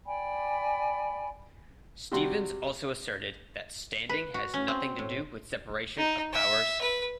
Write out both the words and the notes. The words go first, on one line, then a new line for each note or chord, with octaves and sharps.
Stevens also asserted that standing has nothing to do with separation of powers.
D5 G5 G#5 B5
C3 G3 F#4 C6
B4
F#4
C#4
C4
A2
D#4
E5
B4